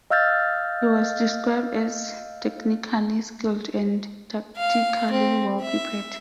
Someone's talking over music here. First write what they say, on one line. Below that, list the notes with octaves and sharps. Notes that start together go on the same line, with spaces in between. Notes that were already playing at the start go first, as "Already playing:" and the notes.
He was described as "technically skilled and tactically well prepared".
D#5 F5 E6 F6 G6 A6
F5
C4
E5